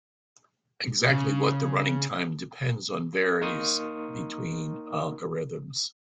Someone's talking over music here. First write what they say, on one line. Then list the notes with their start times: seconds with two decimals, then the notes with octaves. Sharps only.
Exactly what the running time depends on varies between algorithms.
1.10 C#3
3.41 A#3 D#4 A#4 C6 C#6 D#6